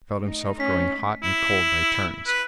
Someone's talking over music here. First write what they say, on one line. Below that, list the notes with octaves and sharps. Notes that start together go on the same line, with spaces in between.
He felt himself growing hot and cold by turns.
A3 D#4
C#4 B6
E4
B4